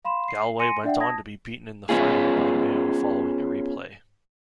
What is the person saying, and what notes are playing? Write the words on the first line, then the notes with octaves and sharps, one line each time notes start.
Galway went on to be beaten in the final by Mayo following a replay.
F5 B5 C6 E7
C7
G#5 C6 A#6 C#7 D#7
D4 D5 E5 F#5 G5
A5 D#6 G#6 A#6
B3 C#4 F4 G#4